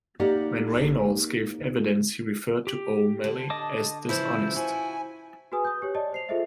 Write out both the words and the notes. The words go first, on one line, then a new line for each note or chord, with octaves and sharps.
When Reynolds gave evidence he referred to O'Malley as "dishonest".
A#3 D#4 G4 A#4 D5 F#5
G4
D3
D#5 A5 D6
C#3 E3 F3 E4 C5
F3 F#4 G#5
F#4 G#4 B4 G#5 D#6
D#6 G6
G4 C#5
D5 D#5 A5
C5 C7 F7
F4 G#4 A4 C5 D#5 E5